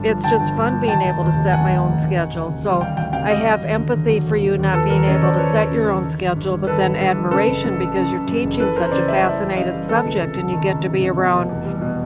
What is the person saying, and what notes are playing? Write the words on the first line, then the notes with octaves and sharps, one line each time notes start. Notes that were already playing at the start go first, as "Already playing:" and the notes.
it's just fun being able to set my own schedule so, I have empathy for you not being able to set your own schedule, but then admiration because you're teaching such a fascinated subject, and you get to be around
Already playing: G1 G2 D3 A5
F3
D3 G5 A5
G1
G2
F3
D#3 G5 A5
F1
D#2
F1
D#3 F#5 G#5
F1
D#2
F1
D#3
D2
C3
G3
D#3 F5 G5
D2 F5 G5
C3 F5 G5
G3 D#5 F5
F#3
D#2
D3
D#2
F#3
D#2
D3
D#2
F3 A4 B4
D#2 A#4
C#3 C#5 D#5
D#2 C5 D5
F3 B4 C#5
D#2
C#3
D#2
D#3
G1
G2
G3
D#3 A4 B4
G1
G2
G3
C#3 A4 B4
F#1
F#2
F#1
C#3
F#1
F#2
F#1
E3 A4 B4
E2 A#4 C5
C#3 C5 D5
G3 D5 E5
E3 D5 E5
E2
C#3 D#5 F5
G3
D#3 A4 B4
C#2
C3
C#2
D#3
C#2
C3
C#2
B2
F1
E2
G3
B2